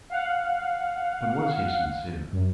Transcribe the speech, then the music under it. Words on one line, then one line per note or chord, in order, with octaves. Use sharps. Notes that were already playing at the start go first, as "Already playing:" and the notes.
But was he sincere?
F5 F#5
F#2